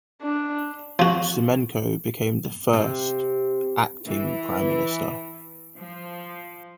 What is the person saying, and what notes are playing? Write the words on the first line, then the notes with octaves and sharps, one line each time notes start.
Symonenko became the first "acting Prime Minister".
D4
F3 F#4
C3
E3
F3